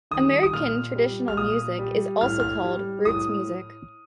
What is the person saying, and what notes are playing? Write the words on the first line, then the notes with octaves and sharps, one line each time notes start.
American traditional music is also called roots music.
D#3 G3 D#6
D#6
A#2 F6
G3
F6
A#2 D#6
G3
A2 F6
F6
G3
A2 D#6